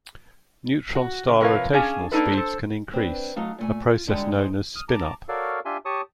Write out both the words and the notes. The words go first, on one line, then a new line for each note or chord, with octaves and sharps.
Neutron star rotational speeds can increase, a process known as spin up.
F#4
C#3
C3 F3 A#4 B4 C#5 F5
C#4 D4 G#4 F5 G#5
A#3 D4 D#4 A4 B4
A4 C5
C4 D4 B4
F#3 A3 D#4 F5
A#2 A3 G#5
F4
B2 D3 G3 G#3 D#4 E4
D#4 G#4 C5
D#6 F6
A5 A#5 D6
F#4 A4 A#4 C#5 D5 F5
D4 F4 G4 E5 G#5 C6
G4 C#5 A5 C#6 D#6